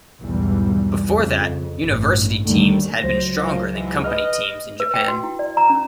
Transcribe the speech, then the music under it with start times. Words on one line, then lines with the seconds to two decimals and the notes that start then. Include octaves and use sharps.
Before that, university teams had been stronger than company teams in Japan.
0.21 B1 E2 G#2 E3 G3
1.08 F2 C#3
1.81 A1 G2
2.45 D#2 D3 D#3 G3 A3
3.03 C#2 F#3 C5 A#6
3.37 F#2 F3
3.73 G#2 E3
4.04 B4 D#5 F6
4.80 B4
4.94 G5
5.08 F#4
5.23 E4
5.39 D5
5.57 A#5
5.70 C#4